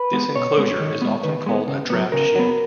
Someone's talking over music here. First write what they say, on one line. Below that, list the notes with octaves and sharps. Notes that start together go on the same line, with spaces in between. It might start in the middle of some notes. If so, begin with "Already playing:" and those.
This enclosure is often called a draft shield.
Already playing: B4
G#3 B3
B2 C#5
G#3 B3
D#3
G#3 B3
D#3 B4
G#3 B3
C#3
F#3 B3
C#3 A#4
F#3 B3